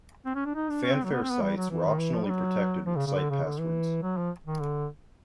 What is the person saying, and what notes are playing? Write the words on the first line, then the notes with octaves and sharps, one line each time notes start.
Phanfare sites were optionally protected with site passwords.
C4
C#4
D4
D#4
D4
C#4
C4
F#3
B3
C4
B3
G3
F#3
E3
D#3
E3
F3
G3
F#3
F3
C#3
C#3
D3
C#3
D3
E3
F#3
F3
D#3
D3